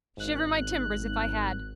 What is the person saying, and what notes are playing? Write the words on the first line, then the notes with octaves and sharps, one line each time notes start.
Shiver my timbers if I had.
G#1 F#6